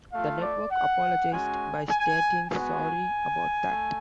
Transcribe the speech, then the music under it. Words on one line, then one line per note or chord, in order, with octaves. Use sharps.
The network apologized by stating Sorry About That.
A3 F4 F5
D5
F#5
G#3 C#4 F#4 G#5
G#5
G#3 B3 F#4 G#5
A3